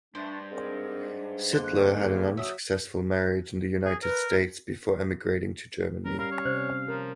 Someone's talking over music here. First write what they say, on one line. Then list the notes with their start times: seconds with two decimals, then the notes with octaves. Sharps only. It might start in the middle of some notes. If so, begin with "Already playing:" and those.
Sittler had an unsuccessful marriage in the United states before emigrating to Germany.
0.15 G2 A3 D4 C5
0.51 G#2 C4 G#4 A#4
1.53 F2 D3 A#3 C6 F#6
2.07 E2
2.37 F#3 E5 D#6
3.86 G#4
4.03 A#4 B4
6.05 G3 C#4 A#4
6.19 A#4 F5 B5
6.32 C#5
6.45 C3 C#4 C5 D5
6.88 F3 A#4